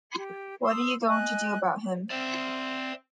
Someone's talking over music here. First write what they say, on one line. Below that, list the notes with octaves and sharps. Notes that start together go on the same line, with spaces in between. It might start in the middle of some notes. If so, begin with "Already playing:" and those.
What are you going to do about him?
G4
C6 D#6 E6
D#5 G#5 F#6
C4 D5 E5